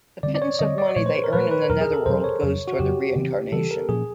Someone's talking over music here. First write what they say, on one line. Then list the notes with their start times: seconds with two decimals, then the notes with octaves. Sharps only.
The pittance of money they earn in the Netherworld goes towards their reincarnation.
0.23 D3 G3 C4 D5
0.35 D5
0.42 C#5
0.59 D3 G3 C4 D#5
0.78 D5
0.96 A#2 F3 A3 C#5
1.06 C5
1.15 B4
1.24 A#4
1.33 A#2 F3 A3 B4
1.51 B4
1.69 E2 B2 F#3 A#4
1.81 G#4
1.93 A4
2.06 E2 B2 F#3 C5
2.24 C#5
2.43 F2 C#3 F#3
2.68 F#4
2.79 F2 C#3 F#3 G4
3.16 C#3 E3 G3 C4
3.52 C#3 E3 G3 C4 A4
3.71 A#4
3.89 A#2 F3 A#3 C#4 G#4